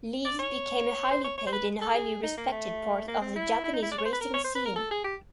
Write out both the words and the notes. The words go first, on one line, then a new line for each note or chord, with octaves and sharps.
Lees became a highly paid and highly respected part of the Japanese racing scene.
D5
C#5
C5
C#5
C#5
C5
B4
A4
G#4
D#4
A#3
A3
A#3
C4
E4
E4
D#4
E4
D5
C#5
C5
B4
A#4
C#5
C5
B4
A#4
A4
G#4
G4